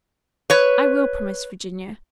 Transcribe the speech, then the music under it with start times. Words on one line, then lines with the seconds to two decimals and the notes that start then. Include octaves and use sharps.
"I will," promised Virginia.
0.50 B4 C#5